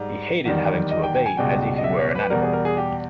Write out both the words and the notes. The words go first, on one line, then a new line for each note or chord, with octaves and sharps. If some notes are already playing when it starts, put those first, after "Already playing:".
He hated having to obey as if he were an animal.
Already playing: G#2 G3
E2 D#3 G3
D#5
G5
G5
G#5
C#2 B2 G3 G5
D#5
E5
C#5
B4
E2 B2 G3 A#4
G#4
A#4
G#4
G4